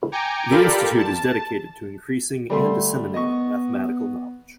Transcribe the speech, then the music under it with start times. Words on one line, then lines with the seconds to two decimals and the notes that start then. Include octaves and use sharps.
The institute is dedicated to increasing and disseminating mathematical knowledge.
0.12 G5 G#5 A#5 D6 C#7
0.50 F4 G4 A4 A#4 D5 B5
0.98 A5
2.50 D3 G3 A3 C6
3.14 B3 D#5 C#6